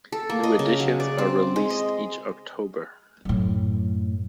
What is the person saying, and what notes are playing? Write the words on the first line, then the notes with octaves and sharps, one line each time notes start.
New editions are released each October.
A4
A#3
D#5
C#3
F#3
D5
C4
G#3
D#5
F#2 A2